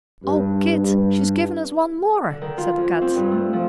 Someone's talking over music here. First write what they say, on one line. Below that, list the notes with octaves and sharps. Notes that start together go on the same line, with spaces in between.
"O Kit, she's given us one more!" said Kat.
G2
G2
D3
D#3
F4
F2
C4
G2
A3
F3